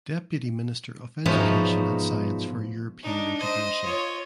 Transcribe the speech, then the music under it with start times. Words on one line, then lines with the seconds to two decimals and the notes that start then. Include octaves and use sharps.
Deputy Minister of Education and Science for European Integration.
1.26 G#2 B2 F3 D#4 C#5 E5
3.03 D4 D#4
3.37 C5 D#5
3.85 F4 C#5